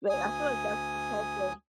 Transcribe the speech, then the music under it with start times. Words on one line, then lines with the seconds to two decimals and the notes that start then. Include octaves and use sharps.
But I feel like that's the type of
0.10 D2 G#5 D#6